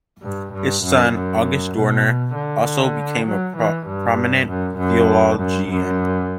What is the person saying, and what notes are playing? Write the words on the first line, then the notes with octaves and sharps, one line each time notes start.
His son, August Dorner, also became a prominent theologian.
G2
G2
F#2
F#2
B2
D3
F#3
E3
G2
F#2
F#2
F#2
F#2